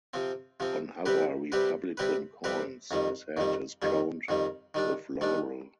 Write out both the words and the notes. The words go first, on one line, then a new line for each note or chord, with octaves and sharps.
On other Republican coins, his head is crowned with laurel.
C3 F3 C4
C3 F3 C4
C3 G3 C4 G4 B4
C3 G3 C4 G4 B4
C3 G3 C4 G4 B4
C3 G3 C4 G4 B4
F2 D#3 G3
F2 D#3 G3
F2 D#3 G3
F2 D#3 G3
D#3 G3 D4
D#3 G3 D4